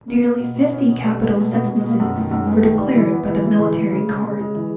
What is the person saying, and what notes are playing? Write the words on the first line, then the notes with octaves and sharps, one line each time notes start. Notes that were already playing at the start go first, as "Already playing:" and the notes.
Nearly fifty capital sentences were declared by the military court.
A#3
A#3
B2
B2
C#4
B2
G3
B3
B2 G#3
A3
B2 A#3
G#3
B2
G#3
B2 A#3
F#2 A3
D#3 A3
F#2 A3
G#3
A3 B3
D#3
G3
E3
B3
E3
E3 A#3
A3
E3
G#3
E3 A3
C#3 G#3
C#3 A3
G#3
C#3
G#3
E3